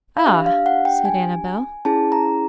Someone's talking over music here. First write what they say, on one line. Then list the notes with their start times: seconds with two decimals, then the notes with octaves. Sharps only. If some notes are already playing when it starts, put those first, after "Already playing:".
"Ah!..." said Annabel.
0.17 F5
0.26 D4 G4 E5
0.46 F5
0.66 F#5
0.85 G5
1.05 G#5
1.85 C#4 E4 G#4 A5
2.12 A#5